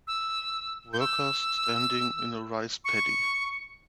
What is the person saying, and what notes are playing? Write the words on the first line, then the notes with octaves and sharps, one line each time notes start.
Workers standing in a rice paddy.
E6
G6
E6
C#6